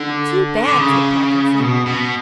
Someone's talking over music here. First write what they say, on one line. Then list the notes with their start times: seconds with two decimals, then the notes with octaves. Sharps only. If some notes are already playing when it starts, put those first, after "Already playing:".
"Too bad!" said Parkinson.
Already playing: D3
0.68 D3
0.80 C#3
1.60 B2
1.86 B2